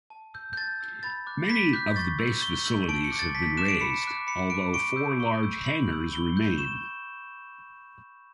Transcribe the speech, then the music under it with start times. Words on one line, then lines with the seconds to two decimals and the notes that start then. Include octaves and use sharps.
Many of the base facilities have been razed, although four large hangars remain.
0.10 A5
0.34 E6 G6
0.53 G6
0.57 A5 A6
0.81 E6 G6
1.03 B5 A6
1.27 D6 F#6
1.49 B5 B6
1.73 D6 F#6 G6
1.96 C#6 A6
2.19 E6 G6
2.42 C#6 G7
2.65 E6 G6 F#7
2.88 A5 D7
3.04 C#7
3.12 D6 F#6
3.19 A6
3.34 A5 B6
3.57 D6 F#6 E7
3.68 D7
3.80 B5 C#7
4.04 D6 F#6
4.27 B5 C#7
4.50 F#6 D7
4.54 D6
4.73 C#6 D7
4.96 E6 G6
5.20 C#6
5.43 E6 G6
5.66 B5 F#7
5.89 E6 G6
6.12 B5 G7
6.36 E6 G6
6.58 C#6 E7